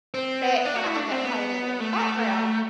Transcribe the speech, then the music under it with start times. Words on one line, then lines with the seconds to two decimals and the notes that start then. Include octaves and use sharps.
but when I have that playing in the background,
0.14 C4
0.56 B3
0.65 D4
0.76 F#4
0.86 E4
0.97 D4
1.11 C4
1.24 B3
1.80 A3